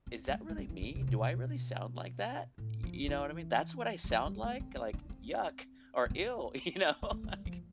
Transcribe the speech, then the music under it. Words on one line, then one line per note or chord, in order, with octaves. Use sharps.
"Is that really me? Do I really sound like that?" Y you know what I mean? "That's what I sound like? Like, yuck," or, "Ew," you know, like
C4
G3
A3
A3
G3
E3
D3
C3
A2
B2
A2
F3
D3
E3
G3
F3
G3
A3
C4
C4
D4
C4
C4
B3
B3
A3
F3
G3
F3